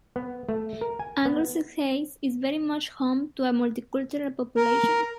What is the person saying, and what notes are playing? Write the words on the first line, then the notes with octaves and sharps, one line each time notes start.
Anglesey is very much home to a multicultural population.
B3
A3
A#4
G#5
B3
A#4